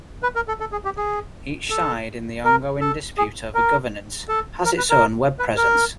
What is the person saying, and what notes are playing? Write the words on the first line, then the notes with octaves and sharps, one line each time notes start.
Each side in the ongoing dispute over governance has its own web presence.
B4
A#4
A4
A4
G#4
G4
G#4
A4
A#4
A4
G#4
A#4
A4
A#4
B4
A#4
B4
A#4